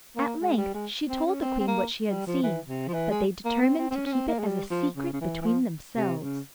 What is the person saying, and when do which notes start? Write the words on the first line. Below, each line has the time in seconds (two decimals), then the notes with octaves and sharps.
At length she told the queen what she had seen, but they determined to keep it as a secret between themselves.
0.16 A#3
0.41 G#3
0.58 G3
0.74 G#3
1.09 C4
1.26 C#4
1.42 C4
1.60 C4
1.67 A#3
2.10 G3
2.27 F3
2.43 E3
2.68 C3
2.88 F3
2.94 E3
3.11 G#3
3.45 A#3
3.61 C4
3.78 C4
3.90 C4
3.95 C#4
4.06 C#4
4.12 C4
4.28 A#3
4.39 G#3
4.45 G3
4.71 F3
4.96 C#3
5.13 C#3
5.21 E3
5.41 E3
5.46 F3
5.97 C3
6.22 C#3